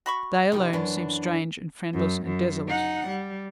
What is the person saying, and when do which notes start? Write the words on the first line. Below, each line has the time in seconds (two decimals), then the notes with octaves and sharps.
They alone seemed strange and friendless, and desolate.
0.06 F#4 B5 C#6
0.52 C3 D#3 G3 D#4 G4
0.73 F#2 E3 B3 C#4 D4
1.93 F#2
2.26 F#2
2.68 D#4 F#5
3.07 G3